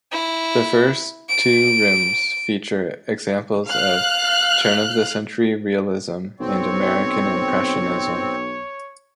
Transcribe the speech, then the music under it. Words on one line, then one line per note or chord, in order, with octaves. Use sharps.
The first two rooms feature examples of turn-of-the-century realism and American impressionism.
E4
D7
F5 F6 F#6
B1 C4 C#5